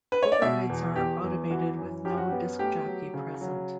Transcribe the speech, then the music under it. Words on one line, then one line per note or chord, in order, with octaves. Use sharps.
Overnights are automated with no disc jockey present.
B4
C#5
D5
B2 E5
E2
E2 G4
E2
E3 F#4
F#2
F#2 G4
F#4
B3 G4
A3 G4
F#3
C#3
F#3